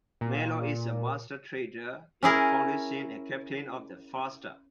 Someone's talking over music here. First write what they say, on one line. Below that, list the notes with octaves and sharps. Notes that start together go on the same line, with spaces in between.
Mallow is a Master Trader in the Foundation and captain of the "Far Star".
A#2
C#4 E4 G#4 A#4